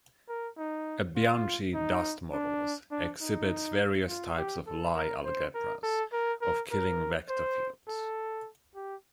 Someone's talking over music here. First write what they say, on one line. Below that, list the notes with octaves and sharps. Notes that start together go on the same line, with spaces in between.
A Bianchi dust models exhibits various types of Lie algebras of Killing vector fields.
A#4
D#4
F4
D#4
D4
D4
D#4
F4
G4
A4
A#4
C5
A#4
A4
A#4
A#4
A#4
C5
A4
G4